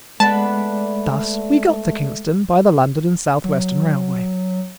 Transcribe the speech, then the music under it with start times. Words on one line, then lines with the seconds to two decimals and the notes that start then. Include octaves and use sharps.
Thus we got to Kingston by the London and South-Western Railway.
0.20 G#3 A3 B3 D4 B4 A5
3.44 F#3